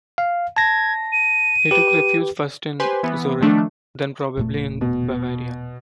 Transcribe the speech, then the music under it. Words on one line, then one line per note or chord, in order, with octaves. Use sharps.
He took refuge first in Zurich then probably in Bavaria.
F5
A5 G#6 A#6
D#7
G4 B4
G4 B4 C5 G#5 C6
E3 B3
D#3 F3 A3 D4
E1 A#2 A3
B2